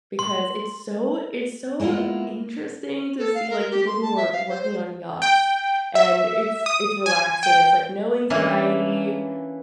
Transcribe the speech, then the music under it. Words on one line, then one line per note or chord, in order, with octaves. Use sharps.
because it's so it's so interesting to see, like, people who were working on yachts and it's it's relaxing, it's like no anxiety,
C6
G#3 A#3 B3 E4 F4
A4
F5
A#4
G4
C6
A5
E5
F5
C5
C5
G5
E5
D#6
G#5
G5
E3 A#3 C#4 D4 E4